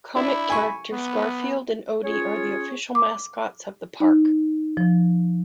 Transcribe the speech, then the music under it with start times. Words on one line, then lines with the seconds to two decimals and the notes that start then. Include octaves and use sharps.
Comic characters Garfield and Odie are the official mascots of the park.
0.16 D4 E4
0.50 G#5 C#6
0.92 B3
2.04 C#4 F4 G#4 C#5
2.95 D6
4.00 D#4
4.77 F3